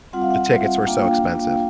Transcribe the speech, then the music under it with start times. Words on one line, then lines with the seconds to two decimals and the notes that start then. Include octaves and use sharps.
The tickets were so expensive.
0.13 G3 C4 F4 F#5
0.22 F5
0.30 E5 F#5
0.86 A#3 D4 F4 F5 G5